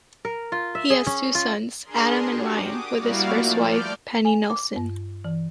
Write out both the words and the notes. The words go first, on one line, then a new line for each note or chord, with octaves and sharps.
He has two sons, Adam and Ryan, with his first wife, Penny Nelson.
A#4
F4
E5
G#4
C#4
F4
D4 G#4 A#4 C6
F#4 G4
D6 D#6
G3 A#3 E4 F#4 D5 F5
F3 A3
D5 F6 G6 D7
G#5
D6
G2
E3